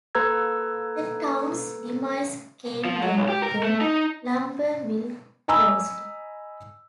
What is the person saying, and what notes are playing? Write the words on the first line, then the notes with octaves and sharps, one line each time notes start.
The town's demise came when the lumber mill closed.
A#3 A4 B4 A#5 E6 G#6
F3
F#3
B1
G4
A#4
A3
D#4
D#5 G#5 A#5 B5 E6